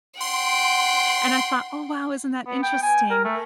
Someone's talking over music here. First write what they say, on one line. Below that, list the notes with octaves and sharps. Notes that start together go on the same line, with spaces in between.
and I thought, “Oh, wow. Isn't that interesting?”
F#5 G5 C6
B3
G5
G#5
A#4
A3